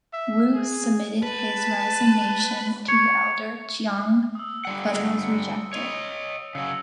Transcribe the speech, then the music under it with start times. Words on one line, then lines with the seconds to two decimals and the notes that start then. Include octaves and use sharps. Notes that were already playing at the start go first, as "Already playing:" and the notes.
Wu submitted his resignation to the elder Chiang but it was rejected.
0.13 E5
0.54 G#4
1.23 B4 A5
2.88 C#5
4.35 D#6 E6
4.65 D3 G3 F#5
5.23 C#7
5.73 C#5 D#5 D#6 F7
6.55 C#3 F#3 E6 C#7